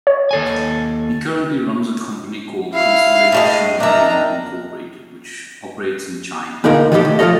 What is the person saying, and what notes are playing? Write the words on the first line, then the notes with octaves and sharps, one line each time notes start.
He currently runs a company called Constellation Monde Incorporated which operates in China.
C#5
D#2 A4 G#5
E4 F5
A2 G3 G#3
D#3 D4 E5 A#5
A#2 D3 D#4 G#4 A#4 F5
D#3 F3 D#4 E4 G4 A4
A2
F3 F4 F#4 A4 C#5 D#5